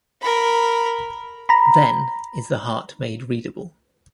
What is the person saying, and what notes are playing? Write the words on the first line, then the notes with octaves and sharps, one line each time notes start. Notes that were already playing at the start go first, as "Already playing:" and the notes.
Then is the heart made readable.
A#4 B5
A#5 B5